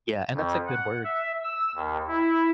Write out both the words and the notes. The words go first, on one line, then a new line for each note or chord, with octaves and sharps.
Yeah, and that's a good word.
F2
F#5
E5
E6
D#2
E4